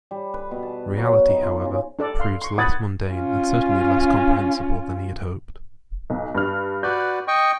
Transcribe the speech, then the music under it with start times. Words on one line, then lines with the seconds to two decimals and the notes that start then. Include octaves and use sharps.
Reality, however, proves less mundane and certainly less comprehensible than he had hoped.
0.11 G3
0.34 B4
0.51 B2
0.63 A5
0.97 F#3
1.28 D#4
1.42 F4
1.65 C#3
1.99 D4 A4 D5
2.20 F5 C6
2.42 C6 C#6
2.58 F#5 B5 D#6 G#6 A6
3.12 C#4 F4
6.10 B1
6.35 G2 F6
6.83 F#4 B4 D5 G6
7.28 D#5 G5 C#6